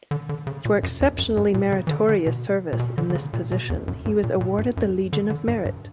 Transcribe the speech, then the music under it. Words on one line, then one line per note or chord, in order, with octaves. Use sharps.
For exceptionally meritorious service in this position, he was awarded the Legion of Merit.
D3
D3
C#3
A#2
F#2
E2
F#2
G2
A#2
C#3
E3
D3
D3
B2
A#2
B2
D3
D3
C#3
A#2
B2
E2
F#2
G2
A#2
A#2
G2
F#2
D3
D3
G2
G2